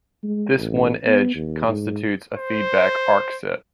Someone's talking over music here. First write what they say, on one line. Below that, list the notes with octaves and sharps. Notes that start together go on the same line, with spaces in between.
This one edge constitutes a feedback arc set.
G#3
A1
B3
D#2
G#2
C5